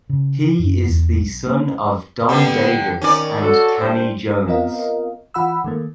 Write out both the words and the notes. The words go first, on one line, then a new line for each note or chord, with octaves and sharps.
He is the son of Don Davis and Tammi Jones.
C#3
F#2
E2
B1
A#3
D3 G3 B3
D#3 C#4 D5
F#4 A4
G3 D4 C5
B3 C4 F4 A#4 D#5 F5
E3 F4 F#5 B5 E6
D#3 A3 A#3